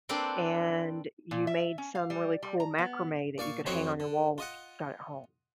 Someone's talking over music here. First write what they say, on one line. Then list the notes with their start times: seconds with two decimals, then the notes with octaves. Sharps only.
and you made some really cool macrame that you could hang on your wall when you got at home.
0.09 A#3 C4 D4 A4 B4 C5
1.31 A#2
1.47 E5
1.78 C#4
1.95 F5
2.10 G3
2.43 G3
2.60 A#5
2.78 B3
3.38 A#2 D5 F5 C#6
3.66 F2 C4 D#4 F#4 C5 C#5
4.00 D3
4.38 F4 D#5 F#5